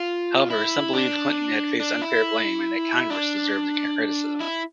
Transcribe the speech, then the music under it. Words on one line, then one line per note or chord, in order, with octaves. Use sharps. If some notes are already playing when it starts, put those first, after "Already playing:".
However, some believed Clinton had faced unfair blame, and that Congress deserved the criticism.
Already playing: F4
E4
D4
D4
E4
D4
E4